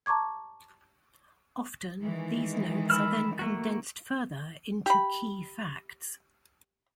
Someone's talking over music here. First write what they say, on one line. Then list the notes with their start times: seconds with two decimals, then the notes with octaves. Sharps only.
Often, these notes are then condensed further into key facts.
0.06 A5 A#5 C#6 D6 G#6
2.00 D#3 E3 G#3
2.90 B5 E6 F6
3.39 A3 A#3 F#4
4.86 G4 B5